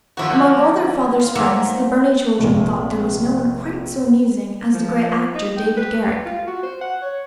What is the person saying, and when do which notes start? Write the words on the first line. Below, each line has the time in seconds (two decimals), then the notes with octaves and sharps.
Among all their father's friends the Burney children thought there was no one quite so amusing as the great actor David Garrick.
0.17 D3 F3 A#3 E4 F#4
1.19 F4
1.35 G#2 F#3 A#3 E5
2.39 F1 A#1
4.74 F3
5.34 D#4
5.57 G5
5.77 B4
6.03 G4
6.25 F4
6.47 F#4
6.63 C5
6.81 F#5
7.02 C#5